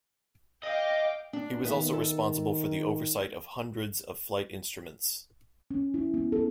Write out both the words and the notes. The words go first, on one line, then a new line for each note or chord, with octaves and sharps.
He was also responsible for the oversight of hundreds of flight instruments.
D#5 F5 G5 D6
D4
D#3 B3 E5
A4
C#4
E4
B3
A4